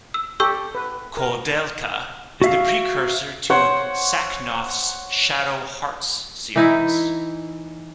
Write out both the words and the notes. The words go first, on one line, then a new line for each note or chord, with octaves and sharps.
"Koudelka" is the precursor to Sacnoth's "Shadow Hearts" series.
E6
G4 A4 C#6 E6 G6
B4
A#4
F#4 E5 F5
C5 C#5 F#5
E3 D#4 E4